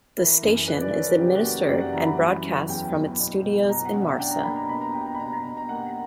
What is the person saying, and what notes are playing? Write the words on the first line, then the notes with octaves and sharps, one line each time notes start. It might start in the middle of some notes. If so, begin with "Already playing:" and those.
The station is administered and broadcasts from its studios in Marsa.
E3 A#4
F#2
C#3 B4
D5
F#2 C#5
A#4
C#3 G4
F#4
A#3
G4
F#2 D5
F#5
E3 A#5
B5
F#3
C#4
E2 G5
E2
B2
B2
B2 A#5
F#5
C#4
E5
D4 G5
A#5
A#3 B5
A#5
B2 B5
A#5
B2 G5
A#5
B5
B2 A#5
A#5
B2 A#5
A#5
A#3 F#5